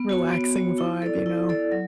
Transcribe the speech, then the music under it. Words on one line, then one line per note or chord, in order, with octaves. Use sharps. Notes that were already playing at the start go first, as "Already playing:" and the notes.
relaxing vibe, you know,
Already playing: B3
F#4 C#5
B3
F#4 C#5
E4
A4 D5
E4
A4 D5
F#3